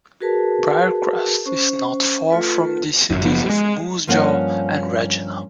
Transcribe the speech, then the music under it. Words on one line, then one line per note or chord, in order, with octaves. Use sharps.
Briercrest is not far from the cities of Moose Jaw and Regina.
F#4 G#4 A#4 B4 A5
C#4 C5 C#6
A3 F4 A4 B4
G#1 F#2
F#1 F3 B3
G3 G#3
G2 F3 A#3 C#4 F#5 G#5